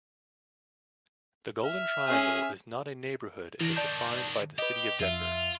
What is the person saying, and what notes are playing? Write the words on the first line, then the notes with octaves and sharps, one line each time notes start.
The Golden Triangle is not a neighborhood as defined by the city of Denver.
E5 F6
C#4 G#4
D#3 E3 D4 A#6
D5 A5 G6
G4 B4 D#5
F2 F4 E5